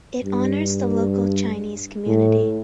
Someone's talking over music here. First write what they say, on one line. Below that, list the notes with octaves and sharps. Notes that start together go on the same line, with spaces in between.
It honors the local Chinese community.
G2
A2